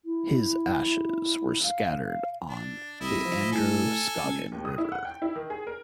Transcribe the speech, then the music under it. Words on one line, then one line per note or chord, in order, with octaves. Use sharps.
His ashes were scattered on the Androscoggin River.
E4
F5
F5
D4
C2 E4 D#5
F3
A2 A4 G#5
C#2
D#2
D#6
E4
F#5
G5
E4
D#3
G#4
A#4